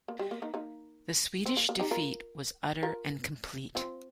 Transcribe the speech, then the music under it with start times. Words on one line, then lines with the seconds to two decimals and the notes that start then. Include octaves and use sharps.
The Swedish defeat was utter and complete.
0.08 A#3
0.19 G3
0.31 A#3
0.42 A#3 D#4
0.54 A#3 D#4
1.46 C4
1.57 A#3
1.69 A#3
1.80 D#4 G4
1.91 F4 A#4
2.83 F4 A#4
3.75 C4 F4